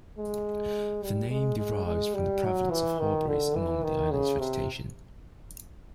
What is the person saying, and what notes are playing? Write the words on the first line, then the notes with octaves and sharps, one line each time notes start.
The name derives from the prevalence of hawberries among the island's vegetation.
G#3
G3
G#3
G#3
G#3
G3
F#3
E3
D#3
D3
E3
D#3
C#3
C3